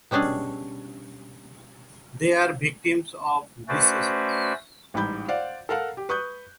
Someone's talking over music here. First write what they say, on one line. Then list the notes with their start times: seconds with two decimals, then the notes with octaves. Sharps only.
They are victims of disease.
0.11 B2 G3 C#4 D4 G#4
3.68 A3 C#4 F#4 B4 C5 D5
4.94 A1 G#2 G3 B5 G6
5.28 C5 D5 F5 F#5
5.69 A4 A#4 F5 F#5
5.97 G4
6.09 B4 C#6 D#6 F#6 G6